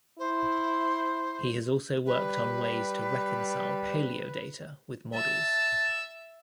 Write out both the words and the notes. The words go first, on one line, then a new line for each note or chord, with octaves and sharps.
He has also worked on ways to reconcile paleo-data with models.
E4 C5
G3 B4
E5 A5